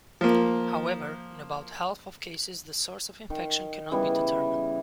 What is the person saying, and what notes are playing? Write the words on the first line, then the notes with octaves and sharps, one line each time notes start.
However, in about half of cases the source of infection cannot be determined.
F3 A#3
D#3
C#3 E3 G3 B3